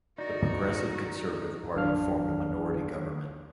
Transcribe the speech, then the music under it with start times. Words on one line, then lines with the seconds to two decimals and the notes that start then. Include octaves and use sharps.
The Progressive Conservative Party formed a minority government.
0.18 D#4 F#4 A#4 D5 A#6
1.74 A1 F2 F#3 D4 F5 F6